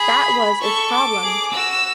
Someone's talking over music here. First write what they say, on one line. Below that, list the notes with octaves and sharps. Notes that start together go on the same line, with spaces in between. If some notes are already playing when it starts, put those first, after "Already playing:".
That was its problem.
Already playing: G#4 B5
A4 C#6
D6
G#4
F#4 E6